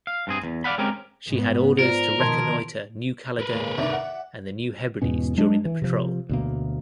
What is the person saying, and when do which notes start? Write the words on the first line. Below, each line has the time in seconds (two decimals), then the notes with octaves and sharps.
She had orders to reconnoiter New Caledonia and the New Hebrides during the patrol.
0.07 F5
0.27 G2 C4 G#4
0.44 E2
0.64 D5 F5 F#5 B5
0.78 G#3 C4 C#4 G4 A#4
1.29 G#2 B3
1.79 F4 A#4 C5 D5
2.20 B2 D#3 F3 A5 C6 G#6
3.40 A#4 B4
3.51 D#2 A#2 C#3
3.78 C2 D#3 D4 D5 E5
3.93 F#5
5.02 E2 G#2 B2 C#4
5.37 F#3 G#3 D4
5.65 E3
5.82 C3 F3
6.29 D2 B2 A#3